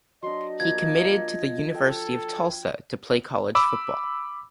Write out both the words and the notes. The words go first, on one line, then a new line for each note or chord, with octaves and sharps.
He committed to the University of Tulsa to play college football.
F#3 D4 D#5 C6
F3 A#3 G#6
A4 G5
B5 D6 E6